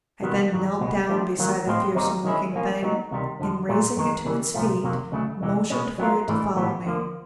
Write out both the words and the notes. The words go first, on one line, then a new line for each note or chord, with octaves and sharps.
I then knelt down beside the fearsome-looking thing, and raising it to its feet motioned for it to follow me.
C3 D#3 F#3 B3
G2 D#3 F#3
C#2 B2 G#3 B3
F3 A3 D4
D#3 F#3 A#3
A2 F3 G#3 C4 F4
D#2 D#3 G3 C4 D#4
D#3 G#3 C#4 E4
F3 A#3 C#4
F#3 B3 D#4
C#2 C3 D#3 G3
F2 D3 F3
A#2 F#3 A3
F#2 D#3 G#3
C#3 E3 G3
C2 A#2 F3 A3
F2 C3 D#3 F#3 A#3
D2 C#3 F#3 A3
E2 C3 E3 G#3
B2 G#3 C#4
F#3 B3 D4 F4 A#4
G#2 E3 A3 D4
A2 E3 G3 B3
D2 D3 F3 A#3